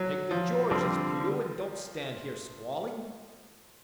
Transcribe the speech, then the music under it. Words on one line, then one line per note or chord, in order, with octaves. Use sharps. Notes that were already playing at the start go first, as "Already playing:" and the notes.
"Take the Georges, Pew, and don't stand here squalling."
Already playing: F#3
F3
D3 F3 G3 C4